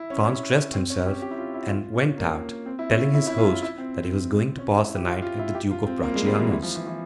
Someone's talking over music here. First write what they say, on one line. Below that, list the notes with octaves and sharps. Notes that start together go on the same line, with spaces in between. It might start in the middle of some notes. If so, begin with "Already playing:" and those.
Franz dressed himself, and went out, telling his host that he was going to pass the night at the Duke of Bracciano's.
Already playing: E4
C#4
C#4
C4
C#4
G4
G4
E4
F4
E4
F4
C#4
A#3
C4
E4
C#4
E4
E4
F4
F4
E4
C4
C#4
E4
G4
F4
F4
E4
G4
F4
C4
A#3
G3
G#3
G3
E3
E3
F3
E3
E3